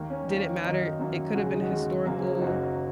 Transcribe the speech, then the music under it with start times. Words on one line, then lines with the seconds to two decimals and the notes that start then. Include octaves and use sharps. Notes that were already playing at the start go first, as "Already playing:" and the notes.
didn't matter, it could've been historical,
Already playing: D#2 D#3 A#3
0.10 C#4
0.28 D#2 D#3 A#3
0.63 F#2 D#3 A#3 D#4
0.99 F#2 D#3 A#3
1.35 D#2 C#3 G#3 F#4
1.43 G#4
1.53 D#4
1.62 F#4
1.71 D#2 C#3 G#3
2.06 F#1 F#2 F#3 A#3 G#4
2.17 G#4
2.29 G#4
2.38 D#4
2.41 F#1 F#2 F#3 A#3 F#4